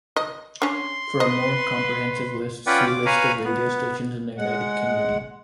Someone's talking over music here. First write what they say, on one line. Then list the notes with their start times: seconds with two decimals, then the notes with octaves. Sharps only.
For a more comprehensive list see List of radio stations in the United Kingdom.
0.16 D#5
0.62 C#4 D4 C6
1.20 B4 D#5
2.66 C#4 F4 B4 D5 F#5 G5
2.87 D6
3.06 B4 C#5 F5 G#5 A#5 B5
3.45 B3
4.38 G#3 F#5